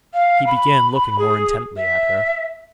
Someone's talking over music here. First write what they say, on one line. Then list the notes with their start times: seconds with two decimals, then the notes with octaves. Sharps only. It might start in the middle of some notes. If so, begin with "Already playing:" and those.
He began looking more intently at her.
0.13 F5
0.46 B5
1.18 G#4
1.76 E5